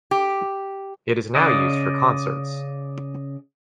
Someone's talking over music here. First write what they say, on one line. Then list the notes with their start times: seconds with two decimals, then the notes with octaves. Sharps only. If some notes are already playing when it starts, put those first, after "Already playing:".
It is now used for concerts.
0.11 G4
1.35 C#3 D5 D#5